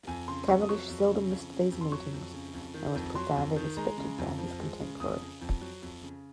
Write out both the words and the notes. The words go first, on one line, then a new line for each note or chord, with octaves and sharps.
Cavendish seldom missed these meetings, and was profoundly respected by his contemporaries.
F2 G#5
C#3 C6
F2 C#6
D#6
F#3 C#6
F2
C#3
F2
C#3
F2
C6
F#3 C#6
F2
C#3
F2
D#3
F2
F#3 C6
F2
D#3
G#3 A#5
C#3
F2
F3
G#3
C#3
F2 D#6
C#3
F2
F#3
F2
C#3